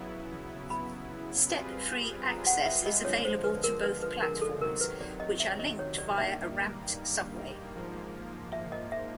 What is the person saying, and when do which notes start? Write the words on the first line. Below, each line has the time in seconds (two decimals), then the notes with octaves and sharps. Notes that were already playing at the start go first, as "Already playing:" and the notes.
Step-free access is available to both platforms, which are linked via a ramped subway.
Already playing: C#3 F#3 B3 E4
0.70 B5
1.49 G3 C4 F4 G#4 B4
2.27 A#5
2.47 F#5
2.66 E5
2.86 D#5
3.05 D3 F3 G#3 C#5
3.25 C5
3.44 B4
3.64 A#4
3.83 B4
4.03 B4
4.22 A#4
4.42 A4
4.61 C3 D#3 F#3 A#4
4.81 B4
5.01 D5
5.20 D#5
5.40 E5
5.59 D#5
5.79 C#5
5.98 D5
6.17 G2 D#3 G3 A#3 E5
7.75 G#2 F3 A#3
8.53 E5
8.72 D#5
8.92 E5